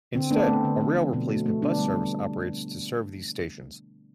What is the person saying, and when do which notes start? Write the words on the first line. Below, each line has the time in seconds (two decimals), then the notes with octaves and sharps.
Instead, a rail replacement bus service operates to serve these stations.
0.15 D3 C4
0.31 A3 B3 D4
0.47 A3 C4
0.65 D3
0.81 D3
0.96 F3
1.13 B2
1.30 A3
1.46 A3
1.62 D3 B3 D4
1.78 G3
1.96 G3